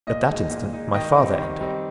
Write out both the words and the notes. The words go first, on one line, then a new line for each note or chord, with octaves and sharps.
At that instant my father entered.
A#2 D#5
G#3 D#4
A#2
G#3 D#4
D#3 D#5 G5
G3 C4 D#4
D#3
G3 C4 D#4